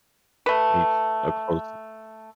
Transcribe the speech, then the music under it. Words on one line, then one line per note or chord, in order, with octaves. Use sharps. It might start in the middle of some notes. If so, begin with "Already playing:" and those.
he's a close
A3 B4